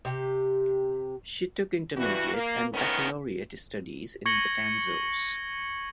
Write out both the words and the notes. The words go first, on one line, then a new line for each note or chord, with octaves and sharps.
She took intermediate and baccalaureate studies in Betanzos.
C3 G4
G2 E3 F#4
A#3
F2 A2 D#3 B3 C#4 A#4
C#6 G#6 A#6 C#7 F#7 G7